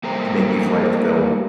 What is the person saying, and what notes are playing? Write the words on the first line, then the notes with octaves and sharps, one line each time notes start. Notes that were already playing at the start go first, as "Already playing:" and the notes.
and make these rights available."
G3 A3 A#3 G4 C5 A#5